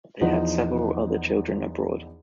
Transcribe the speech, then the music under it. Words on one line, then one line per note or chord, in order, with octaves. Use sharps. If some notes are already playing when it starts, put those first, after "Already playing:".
They had several other children abroad.
E2 F3 D#4 D5 F#5